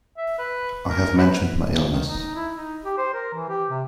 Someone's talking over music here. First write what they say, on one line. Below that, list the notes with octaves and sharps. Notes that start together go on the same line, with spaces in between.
I have mentioned my illness.
E5
B4
A#4
B4
D#3
D#4
E4
D#4
G4
C5
A#4
E3
G4
C3